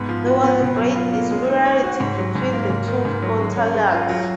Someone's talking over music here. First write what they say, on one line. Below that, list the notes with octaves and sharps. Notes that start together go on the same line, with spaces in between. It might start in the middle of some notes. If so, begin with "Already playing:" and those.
There was a great disparity between the two flotillas.
Already playing: G#2 B3
F3
F#4
B3
B2
F#3
F4
A#3
G#3
D#4
C#5
F#4
G#2
F#3
G#2
A#3
G#2
D#3
G#2
F#3
G#3
C#4
G#3
F4
F#3